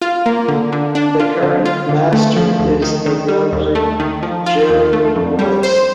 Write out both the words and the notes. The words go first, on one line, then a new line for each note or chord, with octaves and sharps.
The current Master is the Reverend Jeremy Morris.
F4
A#3
D3
D3
D4
F4
D3
F4
D3
A3
F3
D2
D#3
D#3
G3
D#2
A3
D#3
F3
F4
D#2
A3
F2
G3
C5